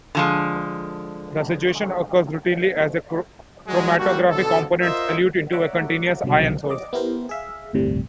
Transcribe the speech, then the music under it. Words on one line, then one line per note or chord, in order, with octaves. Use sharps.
This situation occurs routinely as chromatographic components elute into a continuous ion source.
D3 F3 G#3
F#3 G#3
G3 A#3 F#4
B2 D3 A4
F4 A#4 C5 D#5 E5
C#5 D5 E5 F#5 A#5 D6
C2 B2 D3 F#3
D5 D#5 D6
B3 E4 G4 A#4 C5
G#4 E5 F5
G1 D2 A2 C3 G3